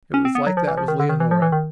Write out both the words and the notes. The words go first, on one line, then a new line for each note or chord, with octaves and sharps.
It was like that with Leonora.
C#4
C4
B3
F#3
F3
E3
F3
D#3
D3
D#3
E3
F3
E3
D#3